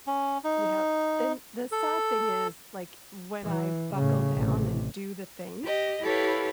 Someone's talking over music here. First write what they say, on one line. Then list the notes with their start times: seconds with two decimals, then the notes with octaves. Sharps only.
Yep. Then the sad thing is, like, when I buckle down and do the thing
0.07 C#4
0.44 D#4
1.72 A4
3.44 E3
3.94 A2 C#3
4.34 A1 C3
5.64 G4 D#5
6.02 E4 G4 A4 B4 C#5 F5